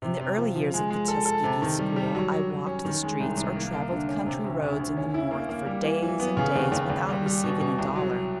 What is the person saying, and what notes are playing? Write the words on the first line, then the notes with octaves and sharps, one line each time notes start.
In the early years of the Tuskegee school I walked the streets or travelled country roads in the North for days and days without receiving a dollar.
C3
C3
F3
F3
G#3
G#3
A4
A4
C3
D#3
G3
G3
F#3
F#3
F#3
C#4
D#3
G#3
C2
C2
A#3
A#3
D3
C#4
C3
D2
D2
D2
C#4
E4
A#3
A#3
G3
E3
E3
B3
C#3
D#2
D#2
D#2
G3
G3
B2
B2
C2
F#3
F#3